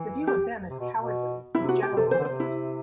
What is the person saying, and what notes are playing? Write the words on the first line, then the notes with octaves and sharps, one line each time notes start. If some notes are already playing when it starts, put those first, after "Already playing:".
The view of them as cowardly was generally universal.
Already playing: E3
G4
C3
B2
B2
C3 E4
F#4
G4
B2
C3 A4
C3
E3 C5
D3
C3 C5
E4